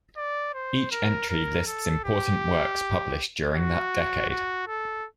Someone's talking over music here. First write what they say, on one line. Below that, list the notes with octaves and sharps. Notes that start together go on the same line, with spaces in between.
Each entry lists important works published during that decade.
D5
C5
A#4
A#4
A4
G4
F#4
F#4
A4